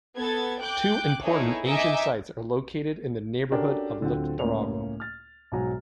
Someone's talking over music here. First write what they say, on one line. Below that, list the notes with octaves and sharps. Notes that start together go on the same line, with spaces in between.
Two important ancient sites are located in the neighbourhood of Litochoro.
B3 A4 G#6 A6
G5 D6 F#6 G6
B3 D#4 E4 G#4 A4 C#5
D#4 D#5 E5 G#5 D6
C#4 D4 F#4 G4 A4 A#4
D1 D3 C4 F4 F#4 G5
C#2 A2 A#3 C#4 F7
F6 A6
B1 G#2 F#3 F#4 G#5 A#5